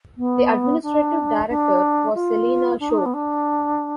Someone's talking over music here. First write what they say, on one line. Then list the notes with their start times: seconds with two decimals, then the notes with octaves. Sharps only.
The Administrative Director was Selina Chow.
0.17 B3
0.83 D4
1.50 D4
2.15 F4
2.80 D4
2.90 D#4
2.98 D4
3.06 B3
3.14 D4